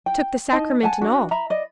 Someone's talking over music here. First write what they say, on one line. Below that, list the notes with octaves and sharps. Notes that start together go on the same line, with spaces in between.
"Took the sacrament and all."
G5
D#4 D#5 A5
F#5 G#5 A5
D4 F#4
E5 A#5 B5
D5 D#5